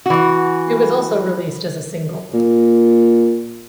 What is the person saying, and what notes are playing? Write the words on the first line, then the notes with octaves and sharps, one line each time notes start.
It was also released as a single.
E3 F#4
A#2